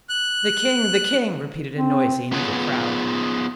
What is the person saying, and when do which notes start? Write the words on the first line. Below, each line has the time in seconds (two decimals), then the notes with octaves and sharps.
"The king! the king!" repeated a noisy and eager crowd.
0.09 F#6
1.76 C4
2.32 B3 F4 G#4 B4 C#5